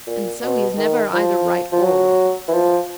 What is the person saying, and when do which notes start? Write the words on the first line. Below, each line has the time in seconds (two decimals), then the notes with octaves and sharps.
"And so he is never either right or wrong," said the King.
0.07 A#2
0.42 B2
0.77 D#3
1.13 F3
1.72 F3
1.84 F#3
2.48 E3
2.54 F3